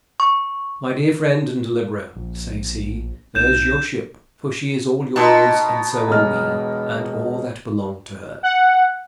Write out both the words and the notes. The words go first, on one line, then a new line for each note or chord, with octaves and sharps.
"My dear friend and deliverer," says he, "there's your ship; for she is all yours, and so are we, and all that belong to her."
C#6
A#1
B1 G6 E7
B2 D#4 A5 C6 E6
E1 D#5 F6
F#5